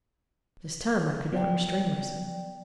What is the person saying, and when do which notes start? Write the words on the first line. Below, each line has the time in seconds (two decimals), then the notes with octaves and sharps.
This time I could not restrain myself.
1.32 F3 F#3 B3 D5 G5